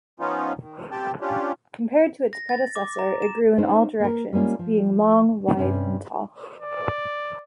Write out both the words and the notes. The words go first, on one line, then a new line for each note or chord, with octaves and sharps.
Compared to its predecessor it grew in all directions, being long, wide and tall.
F3 B3 C#4 D#4 F4
D#3
C4 G4 G5 A5
C#4 D4 F4 G4
A#6
A6
D6
A#5
E7
C#4 D#4 C5
A#3 A#4
G3 G#3 A#3 C#4 F4
F3
G2 C3 C#4
D5